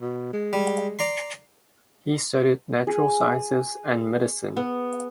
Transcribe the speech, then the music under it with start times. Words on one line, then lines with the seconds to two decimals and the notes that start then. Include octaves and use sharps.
He studied natural sciences and medicine.
0.01 B2
0.33 G#3
0.53 G3
0.99 D5 A#5 C6
2.87 G#4
4.57 B3